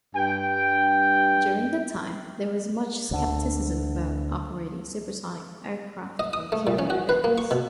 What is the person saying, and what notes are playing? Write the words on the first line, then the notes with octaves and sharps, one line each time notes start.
During the time, there was much skepticism about operating supersonic aircraft from carrier decks.
G2 G5
D2 D3
D#5
D#6
A3
A#2
C#4
F#4
B4
A#3
C#6
B2